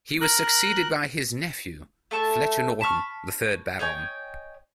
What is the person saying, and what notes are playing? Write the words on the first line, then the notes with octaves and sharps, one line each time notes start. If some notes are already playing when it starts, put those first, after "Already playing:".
He was succeeded by his nephew, Fletcher Norton, the third Baron.
A#4 F#6
A3 A4 E5 A5
A5 B5 C#6 F6
C#5 D#5 G5 G#5